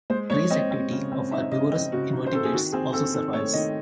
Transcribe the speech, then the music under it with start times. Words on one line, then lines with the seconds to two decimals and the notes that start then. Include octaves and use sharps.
Trace activity of herbivorous invertebrates also survives.
0.10 G#3 C5
0.30 G#3 C#5
0.50 C4 D#5
0.71 C4
0.91 C#3
1.12 C4
1.32 D#4 E5
1.52 C#3 D#5
1.72 C4 D#5
1.92 C#3 F#4
2.13 D#4
2.27 C5
2.33 C4 A4
2.45 G#4
2.53 D#3 F#4
2.72 C4 G#4
2.93 C4 A4
3.14 D#3 A4
3.33 A3 C#5
3.53 D#3 D#5